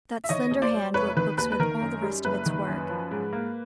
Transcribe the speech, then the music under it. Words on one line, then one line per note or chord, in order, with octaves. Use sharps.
That slender hand wrote books with all the rest of its work.
E5
D#3 C#5 D#5
D#2
C5 D5
F#3
F1 B4 C#5
D#3 B4
D#2 B4
B4
D#3 A#4
F#2
G3
F#1 B4
D#3
F#2
F3
G#2
A#3